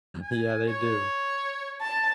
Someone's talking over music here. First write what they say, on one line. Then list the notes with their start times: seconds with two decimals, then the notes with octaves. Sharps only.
Yeah, they do.
0.22 G#5
0.67 C#5
1.82 A5